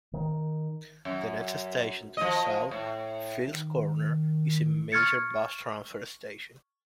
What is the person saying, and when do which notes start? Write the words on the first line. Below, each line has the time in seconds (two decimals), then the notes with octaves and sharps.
The next station to the south, Fields Corner, is a major bus transfer station.
0.13 D#3
1.05 F#2
2.17 F3 D#5
2.71 A2
3.47 D#3
4.92 C#6 F6 G#6 A6 C#7